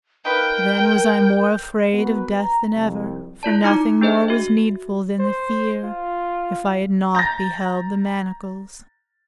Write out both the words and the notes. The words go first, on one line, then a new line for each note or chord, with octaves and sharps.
Then was I more afraid of death than ever, For nothing more was needful than the fear, If I had not beheld the manacles.
D#4 F4 A#4 B4 G5 G6
B3 F#4 A#4 B4 F#5
A#5
C2 F2
E4 F4 D5 A5
D#4 A#5 D6
D4 G#4 C5 D#5
F#4 E5
C5
F4
A#5 G6 A6 A#6